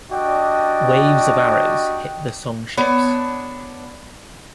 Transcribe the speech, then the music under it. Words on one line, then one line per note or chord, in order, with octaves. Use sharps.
Waves of arrows hit the Song ships.
D4 F#4 G4 D5 D#5 G5
B3 D4 C#5